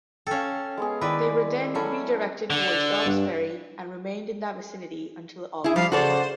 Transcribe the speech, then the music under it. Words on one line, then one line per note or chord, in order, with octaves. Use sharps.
They were then redirected towards Dobb's Ferry and remained in that vicinity until August.
C#4 A4 F5 G5
G#3 B3 G#4
D#3 E4 B4 D5
F#3 C#4 E4 A4 E5
D3
G2
E4 G#4
F3 G3 F5
C#3 F#4 A4 C5 D5